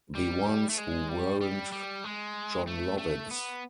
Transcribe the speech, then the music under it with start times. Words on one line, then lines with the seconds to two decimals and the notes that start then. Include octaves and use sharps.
The ones who weren't Jon Lovitz.
0.15 G3
0.69 A3
0.78 G#3
1.09 G3
1.41 G3
1.72 G3
2.04 G#3
2.67 A3
2.98 A3
3.31 B3